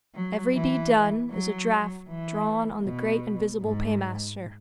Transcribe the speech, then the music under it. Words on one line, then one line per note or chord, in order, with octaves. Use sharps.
Every deed done is a draft drawn on the great invisible paymaster.
F#3
E3
F#3
E3
B2
G#2